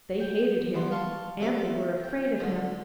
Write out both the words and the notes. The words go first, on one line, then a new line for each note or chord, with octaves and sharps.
They hated him, and they were afraid of him.
G5
G3 B3 C6
F5 A5 C6 C#6
G3 A3 C4 E5 D6
G5
G#2 D3